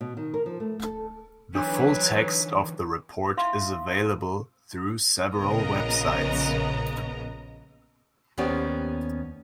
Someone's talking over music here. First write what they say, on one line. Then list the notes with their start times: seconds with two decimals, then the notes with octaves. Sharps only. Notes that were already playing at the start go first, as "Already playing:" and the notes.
The full text of the report is available through several websites.
0.01 B2
0.17 D#3
0.34 A#4
0.46 F3
0.60 A3
0.83 A4
1.55 D3 E3 F#3 D4 B4
3.37 E4 E5 F5 C6
5.36 A#1 C#3 B3 A#4 D#5 A#5
8.38 D#2 B3 C#4 G4 C5 D5